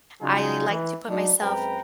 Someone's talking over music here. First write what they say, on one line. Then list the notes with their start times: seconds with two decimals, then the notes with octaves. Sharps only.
I like to put myself
0.21 C#3 F#3 G3 D#4 F4 G#4
0.69 E3
1.08 F#3 D4 D#4
1.40 F#2 G#3 C4 B4 G5 A#5